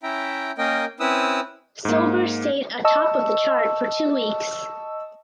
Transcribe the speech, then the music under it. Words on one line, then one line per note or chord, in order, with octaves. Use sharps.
Sober stayed atop of the chart for two weeks.
C#4 E4 E5 G5 A#5
A#3 C#4 A#4 D#5 G5
C4 C#4 E4 B4 D#6 E6
G#2 A#3
D#5 A5 C#6 E6